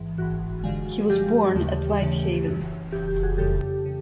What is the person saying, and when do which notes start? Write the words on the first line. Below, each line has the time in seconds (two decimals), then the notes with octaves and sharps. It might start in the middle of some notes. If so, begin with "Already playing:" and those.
He was born at Whitehaven.
Already playing: A1 G#2 E3
0.18 A1 G#2 E3 F#4
0.64 G2 D3 F3 G#3
1.09 G2 D3 F3 G#3 G4
1.55 D#2 C#3 E3 A3
2.01 D#2 C#3 E3 A3
2.47 F#2 C#3 E3
2.92 F#2 C#3 E3 G4
3.08 G4
3.23 F#4 G#4
3.38 F2 C#3 E3 G3 G4 A4
3.86 C#3